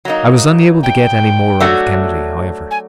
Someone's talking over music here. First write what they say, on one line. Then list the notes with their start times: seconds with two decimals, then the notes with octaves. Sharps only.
I was unable to get any more out of Kennedy, however.
0.05 F#3 A#3 D#4
0.83 G5
1.60 F#3 A3 D4 F#4
2.71 G#5